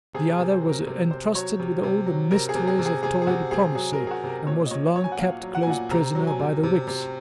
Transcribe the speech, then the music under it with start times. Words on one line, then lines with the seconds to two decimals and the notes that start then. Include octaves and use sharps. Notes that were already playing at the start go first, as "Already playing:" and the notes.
The other was entrusted with all the mysteries of Tory diplomacy, and was long kept close prisoner by the Whigs.
0.14 C3 G#4
0.32 G#4
0.39 C3
0.51 C5
0.63 F#3
0.69 A#4
0.87 C3
1.10 C3 C5
1.35 F#3 C#5
1.60 C3
1.83 C3
2.06 F#3
2.31 C3 A#4
2.49 G#4
2.55 C3
2.67 G#4
2.79 C3
2.86 G#4
3.03 C3 G#4
3.22 G#4
3.27 C3 F#4
3.51 C3 G#4
3.75 F#3 G#4
3.93 A#4
3.99 F#3
4.07 G#4
4.11 F#4
4.23 C3
4.29 A#4
4.47 A#2 C#5
4.66 D#5
4.71 A#2 C#5
4.96 F#3 C#5
5.04 G#5
5.12 F#5
5.19 A#2 F5
5.43 F#3
5.55 F#5
5.63 G#5
5.67 A#2 F#5
5.91 C3 A#5
6.15 F#3
6.27 G#5
6.39 C3
6.63 C3
6.87 C3